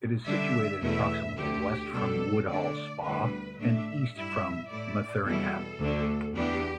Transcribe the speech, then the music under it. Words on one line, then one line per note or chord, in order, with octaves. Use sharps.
It is situated approximately west from Woodhall Spa and east from Metheringham.
D3 G3 D4 E5
E2 B2 A3 E4 E5
D2 D3 A3 G4
B2 G3 D4 A4
D3 A3 D4 D5
D2 D3 G3 B3 E4 B4
A2 A3 D4 E5
G2 G3 E4 E5
A2 A3 E4 D5
E2 B2 G3 B3 E4 A4
D2 D3 A3 D4
E2 E3 B3 D4 G4